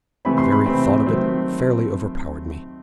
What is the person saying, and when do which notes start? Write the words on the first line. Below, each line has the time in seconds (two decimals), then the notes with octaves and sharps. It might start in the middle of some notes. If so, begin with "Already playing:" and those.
The very thought of it fairly overpowered me.
0.25 C3 E3 A3 C4 B5
0.38 C6
0.52 B5
0.66 C3 E3 A3 C4
1.06 D#3 F#3 A3 C4